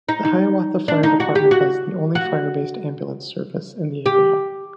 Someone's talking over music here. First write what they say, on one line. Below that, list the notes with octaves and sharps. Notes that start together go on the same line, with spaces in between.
The Hiawatha Fire Department has the only fire-based ambulance service in the area.
D#4
D#4
D4
D#4
F#4
G4
F#4
F#4
G4